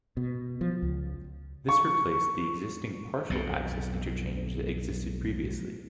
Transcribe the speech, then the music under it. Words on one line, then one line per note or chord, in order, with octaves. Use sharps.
This replaced the existing partial access interchange that existed previously.
B2
F3
C#2
C#6
B1 F2 B2